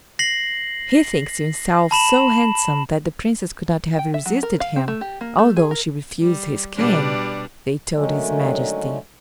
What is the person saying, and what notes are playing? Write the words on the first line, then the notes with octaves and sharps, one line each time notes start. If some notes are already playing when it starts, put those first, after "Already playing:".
"He thinks himself so handsome that the Princess could not have resisted him, although she refused his King," they told his Majesty.
A#6 C7 F#7
A5 B5 E7 F#7
G5
E5
F#3
A#4
F5
C4
A3
G4
A#3
A3
G#4
A#4
G3
B2 G3 D4
D3 D#3 F#3 G#3 A3 C#4